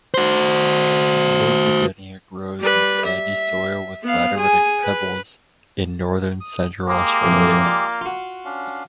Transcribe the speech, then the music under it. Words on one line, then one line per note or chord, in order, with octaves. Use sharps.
Blue goodenia grows in sandy soil with lateritic pebbles in northern central Australia.
F#4 C5
G3 B4
E5
B3 F5
G#4 G#5
B4
D#6
G#3 A#3 G4
F2 A2
F4 D5
F4 F#4
C#4 D4 F5